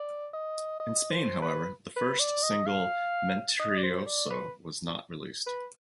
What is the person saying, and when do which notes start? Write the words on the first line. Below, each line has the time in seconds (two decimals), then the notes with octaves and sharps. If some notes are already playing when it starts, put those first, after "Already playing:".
In Spain however the first single "Mentiroso" was not released.
Already playing: D5
0.33 D#5
0.80 D#5
1.11 C5
1.42 B4
1.96 B4
2.19 D5
2.43 D#5
2.67 F5
3.59 D#5
3.78 D5
3.83 C5
4.06 D5
4.30 B4
5.46 B4